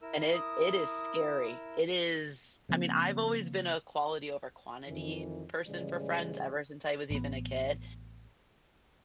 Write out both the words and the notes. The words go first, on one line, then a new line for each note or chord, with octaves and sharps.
And it it is scary. It is I mean, I've always been a quality over quantity person for friends ever since I was even a kid,
E4 A#4 E6
D#6
C#3 F3 A#3 C4
F2 D#3 E3
A2 C#3 E3 G3 G#3 D5
A1 B3